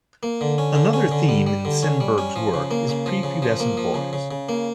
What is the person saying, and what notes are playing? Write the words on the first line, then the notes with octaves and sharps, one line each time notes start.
Another theme in Simberg's work is pre-pubescent boys.
A#3
D3
C#4
D3
C#4
D3
G3
G3
D3
C#4
G3
C#4
F3
C#3
A#3
C#3
F3
C#3
F3
A#3
F3
C#3
C#3
C#3
A#3